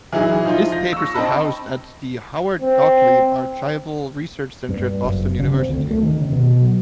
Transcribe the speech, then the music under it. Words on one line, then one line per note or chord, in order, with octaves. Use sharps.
His papers are housed at the Howard Gotlieb Archival Research Center at Boston University.
E3 F#3 D#4 E4 G#4
F3 D#4 F4
A#6
C#6 E6
C4 D#5 A5 B5
C4
G2
F#1
C#3
C4
D2
A3
D#3
C#3
B2
F#3